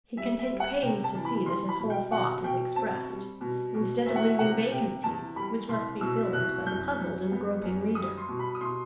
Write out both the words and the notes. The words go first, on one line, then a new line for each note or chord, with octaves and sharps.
He can take pains to see that his whole thought is expressed, instead of leaving vacancies which must be filled by the puzzled and groping reader.
G3 E5
E5
G3
F#5
C3 G5
A5
E3
B5
G3 C6
B5
B2
G5
B2 F#5
B2 G5
C4 A5
G3
B2
B2
E2 E5
F#5
E5
C3 F#5
C3 G5
E2 A5
G3 B5
C2 C6
B2 E6
C2 F#6
F#2 G6
F#2
B3
F#2
G3 D#6
C6
B2
B5
D#6
B2 C6